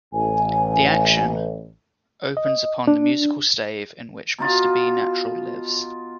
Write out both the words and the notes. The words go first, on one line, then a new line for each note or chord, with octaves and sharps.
The action opens upon the musical stave in which Mr. B Natural lives.
A1 G#5
D#5
D4
B2 D#4 F4